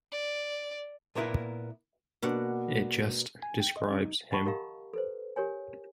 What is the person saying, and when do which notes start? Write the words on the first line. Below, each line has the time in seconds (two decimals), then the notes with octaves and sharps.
It just describes him.
0.11 D5
1.15 A#2 A#3 B3 E4 G#4 A#4
2.22 B2 A#3 B3 D4 F#4 F#5
3.43 G#5
3.60 G5
3.77 D#5
3.91 C#4
4.03 D#4
4.31 D#5 F#5 G5 A5 B5 C#6
4.46 G4 A#4 D#5 F5 A#5
4.93 A4 B4 C5
5.36 G4 A#4 C#5 G#5